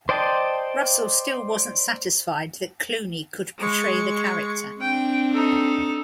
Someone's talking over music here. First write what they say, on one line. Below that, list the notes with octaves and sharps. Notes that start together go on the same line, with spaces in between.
Russell still wasn't satisfied that Clooney could portray the character.
C5 D5 D#5 G5 A5
G#3 C#6
C4 D4 G5
D#4 A4